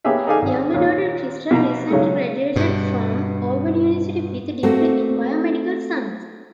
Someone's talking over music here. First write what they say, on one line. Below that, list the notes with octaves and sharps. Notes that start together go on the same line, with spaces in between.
Younger daughter Crystal recently graduated from Auburn University with a degree in BioMedical Science.
A#3 B3 C#4 G4 G#4 E5
D#4 G#4 A4 D5 F5 G#5
G#1
D#2 A#2 C#4
B2 A#3 D#4 A#5
C#3 F#3 G#3 A3
G2 B2
A3 A#3 C4 F#4